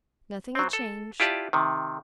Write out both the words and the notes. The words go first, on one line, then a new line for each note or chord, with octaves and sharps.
Nothing had changed.
F#3 C4
A4
E4 F4 G4 D5 A5
C3 D#3